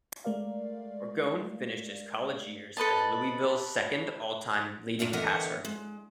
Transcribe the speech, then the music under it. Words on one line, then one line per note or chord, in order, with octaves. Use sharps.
Ragone finished his college years as Louisville's second all-time leading passer.
G#3 A3 A#4 D5 F5
A4 B4 D#5 A5
A#2 D4 F4 E5
D3 E3 B3 A#4 D#5 F#5
G#3